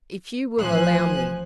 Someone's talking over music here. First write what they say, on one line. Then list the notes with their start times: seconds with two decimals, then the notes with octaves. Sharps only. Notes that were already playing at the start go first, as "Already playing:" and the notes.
If you will allow me.
0.58 A1 F3 C5 G#5 F#6